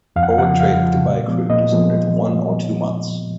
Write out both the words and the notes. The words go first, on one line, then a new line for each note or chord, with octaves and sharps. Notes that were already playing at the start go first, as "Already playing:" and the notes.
Forward trade of Dubai Crude is limited to one or two months.
F2 F5
F#5
F5
C#3 F3 F#5
F2 F5
C#3 F3
A#2
F3 G#3 B3
A#2 D#5
F3 G#3 B3